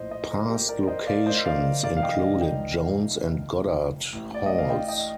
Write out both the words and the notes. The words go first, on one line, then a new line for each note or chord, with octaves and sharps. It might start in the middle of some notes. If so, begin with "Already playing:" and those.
Past locations included Jones and Goddard Halls.
Already playing: A#1 A2 C5 D#5
C5 D#5
A4 C5
G4 A#4
A#4 D5
C5 D#5
D5 F5
C5 D#5
D5 F5
F1 F2 D#3 D5 F5
F5
D#5 G5
D#5
D5 F5
D#5 G5
A1 A2
D5
D#5
F5
D#5 G5
D#5 G5